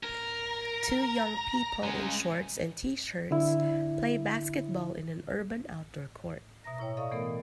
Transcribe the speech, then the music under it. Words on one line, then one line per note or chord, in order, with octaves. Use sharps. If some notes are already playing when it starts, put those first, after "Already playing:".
Two young people in shorts and tshirts play basketball in an urban outdoor court.
A#4
C#3 G#3
D3 E4
B2 E5 A#5 A#6
A2 E4 C#5 G5
A4 D5 D#5 F5 C#6 D#6
E3 A3 B3 A4 A#4